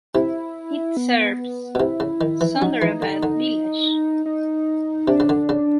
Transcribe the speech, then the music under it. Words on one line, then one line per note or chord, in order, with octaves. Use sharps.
It serves Sunderabad village.
C3 E4
B3
B2
C3 E4
C#3
D#3
E3
D4
F#3 D#4
E3
D3
D3
D#4
C3 D4
C#3
D3
C#3